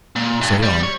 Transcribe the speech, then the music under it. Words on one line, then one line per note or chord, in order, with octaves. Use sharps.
"Say on."
A#2
G2
G3
C#5